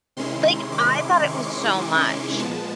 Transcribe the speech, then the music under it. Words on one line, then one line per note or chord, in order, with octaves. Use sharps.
Like, I thought it was so much,
C3 D#3 G#3 C#4 E4 C6
D6
C#6
D6
A#2 F3 G#3 B3 A5